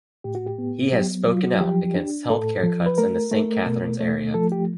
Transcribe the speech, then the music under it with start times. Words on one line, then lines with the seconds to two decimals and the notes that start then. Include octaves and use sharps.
He has spoken out against health-care cuts in the Saint Catharines area.
0.24 A2 G4
0.35 F#4
0.47 G4
0.58 B3
0.92 F#3 G4
1.27 F#3 F4
1.44 F#4
1.61 F3 G4
1.96 D4
2.30 A2 A4
2.63 F3
2.86 B4
2.98 A3 A#4
3.32 A3
3.66 B2
4.00 A3
4.34 F3 A4
4.52 G4